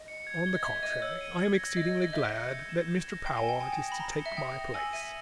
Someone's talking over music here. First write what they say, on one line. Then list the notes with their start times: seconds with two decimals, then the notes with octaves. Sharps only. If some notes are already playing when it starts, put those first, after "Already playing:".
On the contrary, I am exceedingly glad that Mr. Powart is to take my place.
Already playing: D#5
0.08 C#7
0.27 G#6
0.46 G7
0.54 D#5
0.64 E5 G#6
0.82 D#5 D#7
1.02 C#5 E6
1.21 D#7
1.39 E6
1.57 A#6
1.76 D#5 G6
1.95 G7
2.02 D#5
2.13 E5 G6
2.32 C#7
2.51 G6
2.69 E7
2.88 G6
3.07 A#6
3.26 G5 G7
3.37 G#5
3.44 G5 E7
3.61 G#5 D#6
3.72 G5
3.82 A#6
3.92 B5
4.00 A#5 G7
4.19 C#7
4.26 E5
4.37 G5 D#6
4.56 A#6
4.74 G#5 E6
4.93 E5 D#7